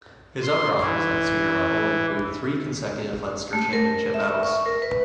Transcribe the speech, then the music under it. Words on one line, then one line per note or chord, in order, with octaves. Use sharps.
His other honours at senior level include three consecutive Leinster Championship medals.
C6
E3
A3
A#4
E5
C#6
A#4
B4